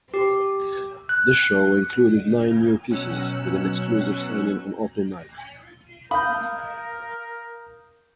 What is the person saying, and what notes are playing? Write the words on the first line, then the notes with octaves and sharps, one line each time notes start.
The show included nine new pieces, with an exclusive signing on opening night.
G4
F#6
B2 F#3 C#4 E6 F#6 C#7
A#4 F5 B5 D#6 G6